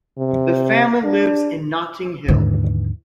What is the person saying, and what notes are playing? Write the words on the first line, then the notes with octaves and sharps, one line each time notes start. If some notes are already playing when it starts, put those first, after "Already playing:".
The family lives in Notting Hill.
C3
D4
D#2 G#2 D3 E3